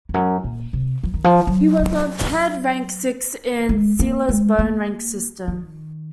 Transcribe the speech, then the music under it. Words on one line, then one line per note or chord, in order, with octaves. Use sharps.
He was of head-rank six in Silla's bone rank system.
F2
F#2
A#2
C3
F3
D#3
F3
F#3
G#3
A#3
G#3
A#3
D#3